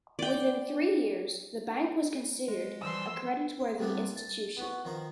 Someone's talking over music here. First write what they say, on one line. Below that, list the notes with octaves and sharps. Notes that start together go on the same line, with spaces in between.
Within three years, the Bank was considered a creditworthy institution.
D5 G5
G#3
E3 F3 G3 C6 E6
C5
C3 G3 B3 D4 E4 G4
A5
B3 F#4
D#3 F3 C5 A#5